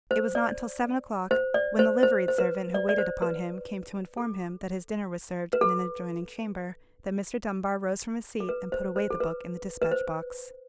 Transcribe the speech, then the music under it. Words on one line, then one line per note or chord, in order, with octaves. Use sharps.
It was not till seven o'clock, when the liveried servant who waited upon him came to inform him that his dinner was served in an adjoining chamber, that Mr. Dunbar rose from his seat and put away the book in the despatch-box.
C5
D5
C5
D5
C5
C5
C5
B4
D5
D5
C5
B4
A4
B4
A4
A4
B4
C5
C5
A4
B4
B4
C5